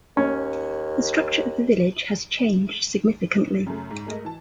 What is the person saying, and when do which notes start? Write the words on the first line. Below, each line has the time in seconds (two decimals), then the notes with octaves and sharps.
The structure of the village has changed significantly.
0.17 D#2 C#4
3.66 F#2 C#3 A3
3.91 G#2
4.07 G#3 A3 A#4 D#5
4.25 E3 A5